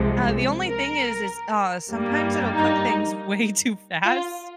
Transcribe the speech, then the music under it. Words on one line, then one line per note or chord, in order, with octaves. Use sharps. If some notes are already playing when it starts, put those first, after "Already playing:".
Uh, the only thing is is, uh, sometimes it'll cook things way too fast.
Already playing: C2 C3 F3 G#3
A#4
G2 G3 A#3
D#4
F4